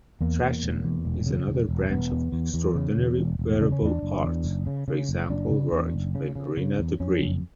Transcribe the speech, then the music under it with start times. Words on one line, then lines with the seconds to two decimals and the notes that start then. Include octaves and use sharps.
Trashion is another branch of extraordinary wearable art, for example, work by Marina DeBris.
0.21 E2 A#3
0.42 E2
0.63 E1
0.85 E2
1.05 E1
1.26 C#3
1.48 E1
1.69 E1
1.90 E1 B3
2.12 E2
2.32 E2
2.54 E2
2.75 C#3
2.97 E2
3.18 E1
3.39 E1
3.60 C#3 D4
3.72 C#4
3.82 E2 D4
4.03 F#1
4.24 E2
4.45 F#1
4.67 C#3
4.88 C#3
5.09 F#1
5.30 F#1 D4
5.51 C#3
5.72 E2
5.94 F#1
6.15 C#3
6.36 C#3
6.57 C#3
6.79 E2
7.00 F2 C#4
7.21 F#1